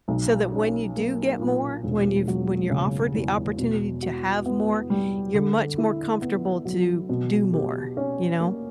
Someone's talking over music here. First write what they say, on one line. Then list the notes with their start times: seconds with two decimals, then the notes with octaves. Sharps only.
so that when you do get more, when you've when you're offered the opportunity to have more, you're much more comfortable to do more, you know?
0.08 B1
0.52 C#4
0.97 A#3
1.39 A#2
1.83 E1
2.28 F#3
2.71 C#3
3.15 E2
3.58 B2
4.02 F#4
4.46 B3
4.90 G3
5.34 D3
5.78 E4
6.22 B3
6.65 F#3
7.09 B2
7.53 G4
7.97 C#4
8.40 A#3